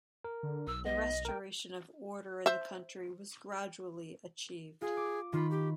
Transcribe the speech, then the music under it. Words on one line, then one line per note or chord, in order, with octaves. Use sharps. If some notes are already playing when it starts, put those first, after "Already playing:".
The restoration of order in the country was gradually achieved.
A#4
D3
B1 E6
B3 D#5
A#4 G5
C5 E5
F4 G#4
D6
D#3 F4 B5
G4